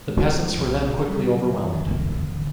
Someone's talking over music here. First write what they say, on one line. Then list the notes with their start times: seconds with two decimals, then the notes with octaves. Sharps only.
The peasants were then quickly overwhelmed.
0.07 B1 G#3
0.33 A2
0.58 B1
0.83 A2
1.08 D2 G3
1.34 C#3 F#3
1.59 D2 E3
1.72 D#3
1.85 C#3 E3
1.98 D#3
2.11 A1 D3
2.36 D3